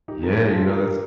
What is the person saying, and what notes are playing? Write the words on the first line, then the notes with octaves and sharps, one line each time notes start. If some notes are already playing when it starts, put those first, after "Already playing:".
Yeah, you know, that's
D#4 G4
A#4
A4
G4
F4 A4
G4 A#4
G4 A#4